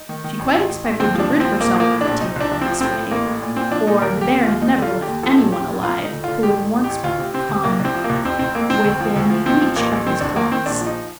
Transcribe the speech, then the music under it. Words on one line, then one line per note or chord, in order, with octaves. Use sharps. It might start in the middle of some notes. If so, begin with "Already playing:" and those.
She quite expected to rid herself of the tailor in this way, for the bear had never left anyone alive who had once come within reach of his claws.
Already playing: D#4
D#3
D#3
A1
A1
A1
A1
D#2 C4
F3 D4
D#2
F3 C4
A#1 A#3
F3 A#3
A2
A#1 D4
C2 D#4
C2 D4
C2
C4
F3
A2 C4
A2
A1 A#3
A2
A#2
A#2 C4
F3 D4
A#2 D#4
D#2 A#4
D3 G4
D#2
F4
D#2
F3 D#4
D3 F4
D3
G4
D#2
F3 A4
A#1
A#1 G4
A2
F3 F4
D3 D#4
D2
D3 F4
A1 G4
A1
A1
G4
A1
D2 F4
C3
C3 C4
D2
C2 A#3
C2
C4
F3
A#3
C2
F2 C4
F1 C4
F2 A#3
F1 C4
D2
F3
D2
F3
A1 C4
F3
A1 A#3
A1
D#3 C4
F1 D4
D#3 A#3
D#3 C4
A#1 D4
F3
D#4